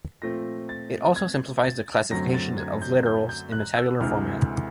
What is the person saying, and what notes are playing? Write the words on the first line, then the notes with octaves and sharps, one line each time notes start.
It also simplifies the classification of literals in tabular format.
A#2 F3 A3 C4 A#6
A6
G#6
A6
F#2 D3 F#3 A3 C4 A#6
A6
G#6
G6
G6
G6
F#6
E6
D2 C3 E3 G#3 F6